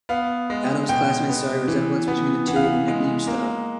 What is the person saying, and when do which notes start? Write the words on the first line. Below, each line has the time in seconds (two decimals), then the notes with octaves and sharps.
Adams' classmates saw a resemblance between the two, and the nickname stuck.
0.09 B3 F5
0.50 G#3
0.89 B2 G5
1.29 B3
1.68 E3
2.08 B3
2.47 E3 F#5
2.56 F5
2.64 F#5
2.88 G#3
3.27 A#3